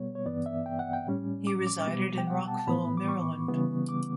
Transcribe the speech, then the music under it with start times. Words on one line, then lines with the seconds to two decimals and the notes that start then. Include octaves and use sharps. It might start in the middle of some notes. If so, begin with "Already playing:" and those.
He resided in Rockville, Maryland.
Already playing: B2 G3 B3 C#5
0.15 C#5
0.26 G2 E3 B3 D5
0.46 E5
0.66 G5
0.79 F#5
0.93 G5
1.06 A2 G3 C#4
1.47 D6
1.67 D6
1.87 B2 G3 B3
2.18 G5
2.27 F#5
2.48 A5
2.59 A5
2.68 A2 E3 B3 B5
2.97 D6
3.08 C#6
3.49 C#3 E3 G3 B3
3.89 D6